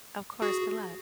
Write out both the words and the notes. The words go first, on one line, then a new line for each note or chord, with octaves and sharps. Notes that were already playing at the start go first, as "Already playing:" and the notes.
Of course, good luck.
F#4 G#4